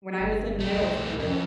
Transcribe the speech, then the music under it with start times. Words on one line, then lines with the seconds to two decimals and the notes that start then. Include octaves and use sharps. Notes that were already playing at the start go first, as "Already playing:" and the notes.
When I was in middle school
0.20 G1
0.60 A3 G4
0.76 C2
1.19 F2 C#4